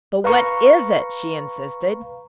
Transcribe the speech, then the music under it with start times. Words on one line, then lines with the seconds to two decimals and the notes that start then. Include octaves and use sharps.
"But what is it?" she insisted.
0.24 B4 F5 A#5 C#6